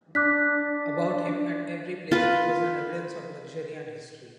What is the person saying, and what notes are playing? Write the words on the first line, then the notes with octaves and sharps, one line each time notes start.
About him, at every place,it was an evidence of luxury and history.
D4 D6 F#6 B6
F4 B4